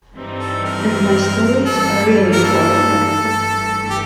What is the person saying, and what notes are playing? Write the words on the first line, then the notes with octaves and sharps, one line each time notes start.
And my stories are really involving.
G2 E3 G3 C4 D#4
A4
A#4
G2 E3 G3 A#3 A4
A#4
A4
G2 E3 A3
G4